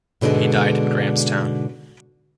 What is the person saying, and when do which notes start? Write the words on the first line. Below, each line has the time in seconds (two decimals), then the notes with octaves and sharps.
He died in Grahamstown.
0.21 G#2 B2 D3 G3 G#3